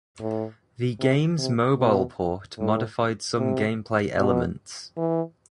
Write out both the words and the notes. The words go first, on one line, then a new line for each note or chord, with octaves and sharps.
The game's mobile port modified some gameplay elements.
A2
C3
C3
B2
A2
C3
B2
E3